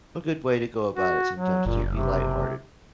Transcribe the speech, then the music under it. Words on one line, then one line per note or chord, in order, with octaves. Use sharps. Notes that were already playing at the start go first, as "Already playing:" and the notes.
a good way to go about it sometimes, to be lighthearted.
F#4
F#3
F#1 A#2
C3